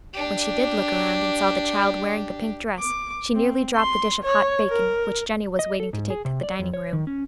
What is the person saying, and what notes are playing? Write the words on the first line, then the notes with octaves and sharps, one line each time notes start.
When she did look around and saw the child wearing the pink dress she nearly dropped the dish of hot bacon which Jennie was waiting to take to the dining-room.
D4 G4
D6
C4
C6
C#5
A#4
D#5
A4
G#2
G#4
C3
D5
F2
C#5
D#3
C#4